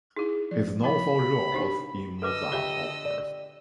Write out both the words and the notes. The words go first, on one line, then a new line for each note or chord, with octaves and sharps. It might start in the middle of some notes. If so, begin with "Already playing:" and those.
He is known for roles in Mozart operas.
D#4 E4 G#4
F3 D5
E4 C#5 B5
G4
D4 D#4 C5
D3 A4 B4 D#5 D6 E6
F4 G4 C#5 E5 G7
D5